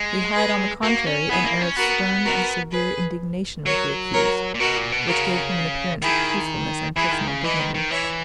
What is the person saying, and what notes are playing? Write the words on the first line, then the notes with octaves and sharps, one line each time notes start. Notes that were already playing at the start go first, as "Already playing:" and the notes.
He had, on the contrary, an air of stern and severe indignation with the accused, which gave him an appearance of truthfulness and personal dignity.
Already playing: G#3
G#4 B4
A#3 F#4 A#4
C#4
B3 E4 G#4
A#3
C#4
B3 F#4 A#4
F#4 A#4
G#4 B4
F#3 A#4 C#5
A#4 C#5
A#2
B2 F#4 A#4
A#2
B2
C#3 F#4 A#4
D#3 E4 G#4
E3 E4 G#4
D#3
C#3
E3 B4 D#5
D#3
D#3
E3 C#5 E5